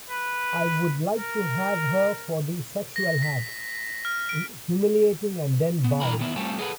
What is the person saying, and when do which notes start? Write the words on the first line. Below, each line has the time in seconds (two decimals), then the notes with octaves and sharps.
I would like to have her for the sexual act: humiliating and then bye.
0.10 B4
1.17 A#4
2.96 A#6
3.23 B6
4.05 F6
4.29 D7
5.84 B3
6.00 G2 E3 A#4 B5
6.19 D#3 B3 E4
6.36 G3 A3 C4 C#4 F4 A4
6.59 G#4 A4 B4 F#5